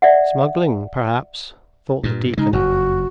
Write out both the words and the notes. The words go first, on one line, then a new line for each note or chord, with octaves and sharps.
"Smuggling, perhaps," thought the deacon.
D5 E5 F#5
G2 A#2
C#3 G#3 D#4
F#1 F2 F#4